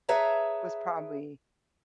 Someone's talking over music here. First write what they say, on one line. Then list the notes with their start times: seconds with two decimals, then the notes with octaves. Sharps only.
was probably
0.09 G#4 B4 C#5 E5 A5 A#5